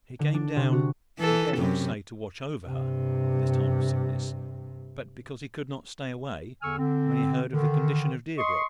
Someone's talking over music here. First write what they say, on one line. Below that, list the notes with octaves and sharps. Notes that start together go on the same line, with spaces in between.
He came down--he dared not say to watch over her in this time of sickness--but because he could not stay away when he heard of the condition of Deerbrook.
D3
D4
C3
F#4
E3 A4
F#2 C3
G2 C3
E2 D3 G#5 C#6 E6 F6
D3 C4
D3 D#3
D#5 C6 C#6